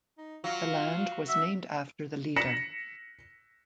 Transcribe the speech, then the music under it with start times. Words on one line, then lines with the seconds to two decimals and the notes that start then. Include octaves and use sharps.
The land was named after the leader.
0.18 D#4
0.44 F#3 F4 F5
1.28 F#4 E5
2.36 A#6 B6 C#7 E7 F#7